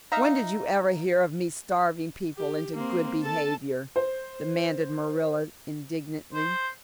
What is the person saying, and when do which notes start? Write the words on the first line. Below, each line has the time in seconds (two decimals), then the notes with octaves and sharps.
"When did you ever hear of me starving people into good behavior?" demanded Marilla indignantly.
0.12 D#4 E5 F5 A#5
2.36 G4
2.74 A#3 C4
3.23 A4 A5
3.96 C5
6.33 C5